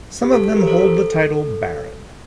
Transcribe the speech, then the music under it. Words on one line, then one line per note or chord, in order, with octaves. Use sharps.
Some of them hold the title baron.
G4
A4
A4
G4 A#4
A4 C5
A4